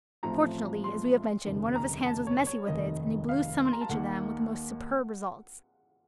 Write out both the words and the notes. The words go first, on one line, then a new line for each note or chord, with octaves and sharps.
Fortunately, as we have mentioned, one of his hands was messy with it, and he blew some on each of them, with the most superb results.
A1 A2 F3 C4 A#5
C6
F1 D#2 C#3
A#5
A5
C#5
C#5
F1 D#2 D#3 D#5
F5
C6
A#5
A5
D#2 D#3 A#3 F#5